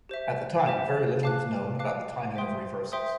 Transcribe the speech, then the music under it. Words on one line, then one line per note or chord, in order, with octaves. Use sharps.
At the time, very little was known about the timing of reversals.
G4 C5 E5
G4 C5 E5
F5 A5 D6 F#6
F5 A5 D6 F#6
C5 E5 G5 C6 D#6
C5 E5 G5 C6 D#6